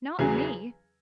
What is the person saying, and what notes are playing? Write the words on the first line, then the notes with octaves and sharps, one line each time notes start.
Not me!
E2 C#3 F#3 G#4